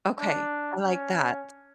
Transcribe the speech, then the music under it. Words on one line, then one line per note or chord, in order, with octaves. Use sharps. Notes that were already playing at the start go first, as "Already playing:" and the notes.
Okay, I like that.
D4
C#4